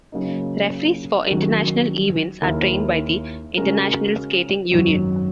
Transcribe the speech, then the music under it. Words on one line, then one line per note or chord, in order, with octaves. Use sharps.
Referees for international events are trained by the International Skating Union.
C#3 F#3 A#3 D#4
D#3 F#3 C#4 F#4 A#4
D#2 D#3 A#3 E4 A#4
C#3 G#3 C#4 F#4 A#4
G#1 F#2 D#3 F#3